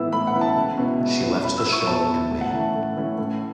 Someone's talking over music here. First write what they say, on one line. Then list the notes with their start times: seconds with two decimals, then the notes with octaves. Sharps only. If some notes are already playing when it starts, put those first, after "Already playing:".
She left the show in May.
Already playing: A2 E3 B3 E4 E6
0.12 A2 B5
0.27 F#5
0.35 E3 B3 E4
0.41 A5
0.56 C#2
0.78 B2 B3 E4
1.00 C#2
1.22 B2 B3 E4
1.43 B2 B5
1.58 E6
1.65 B3 E4
1.72 C#6
1.87 B2 A5
2.09 B3 E4
2.31 A2 A5
2.41 F#5
2.50 E3 A3 C#4 E4 A5
2.75 A2
2.97 E3 A3 C#4 E4
3.18 A2